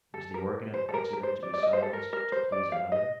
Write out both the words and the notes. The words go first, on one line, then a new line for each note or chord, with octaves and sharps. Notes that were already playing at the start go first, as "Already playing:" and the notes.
Was the organ of Exeter to be silenced to please another?
A4
A#4
C5
A4
A#4
A#4
C5
D5
D5
D#5
C5
A4
A#4
A#4
C5
D5
F5
D#5